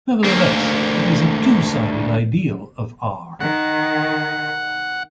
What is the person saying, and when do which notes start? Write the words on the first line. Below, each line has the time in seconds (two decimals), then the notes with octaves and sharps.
Nevertheless, it is a two-sided ideal of "R".
0.24 D2 A#3
3.40 D#3 F#5